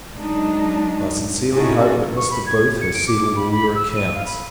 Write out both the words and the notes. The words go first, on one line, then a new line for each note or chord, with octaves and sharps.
I sincerely hope, that Mr. Booth has settled all your accounts.
F#3 G#3 D4 D#4
C#4 D#4 E4 F#4 G#4 A4
C#6
B5
G#6
C#7
D7
D6
B5
B5
E6
D#7
F5
B5